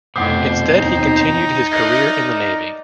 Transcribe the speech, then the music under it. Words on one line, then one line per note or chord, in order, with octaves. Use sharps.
Instead he continued his career in the navy.
F1 F2 B2 C5 F#5 D6
D#2 D#4 G6
A#4 D5 D#5 F#6 G6 C7